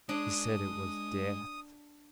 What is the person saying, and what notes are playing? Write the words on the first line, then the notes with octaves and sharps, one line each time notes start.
He said it was death.
G#3 D4 D#6